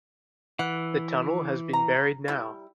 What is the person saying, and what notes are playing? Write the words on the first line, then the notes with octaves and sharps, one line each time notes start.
The tunnel has been buried now.
E3 F#5
A#5
G3 E4